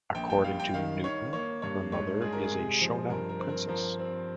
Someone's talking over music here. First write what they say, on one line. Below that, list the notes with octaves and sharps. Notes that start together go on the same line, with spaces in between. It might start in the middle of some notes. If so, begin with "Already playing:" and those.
According to Newton, her mother is a Shona princess.
A#1 G5
G5
G3 F5
G5
D#3 F5
D#3 C#5
A#3 C#5
G2 C#5
G#2 C#5
G#2 G#4
A#4
G#4
C3
F3
G2 A#4
A#4
C4
A#4
F3 A#4
C4